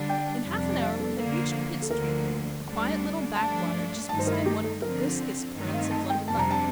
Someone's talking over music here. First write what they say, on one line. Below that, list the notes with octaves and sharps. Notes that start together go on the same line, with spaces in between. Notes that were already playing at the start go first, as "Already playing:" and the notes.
In half an hour we had reached Pitt Street, a quiet little backwater just beside one of the briskest currents of London life.
Already playing: D3 G3 D4
G5
F2 C3 G3 D4
F5
A4
D3 F3 A#3
A4
D2 D3 F3 A#3 A#4
D2 D3 G3 D4
G2 F3 A3 D4 A5
G2 D#3 A3 D#4 A5
C5
A#4
G4
A4
D3 F3 C4 A#4
G2 D#3 A3 C4 D#4
F5
A5
G5
F2 C3 G3 D4 A5
A#5
A5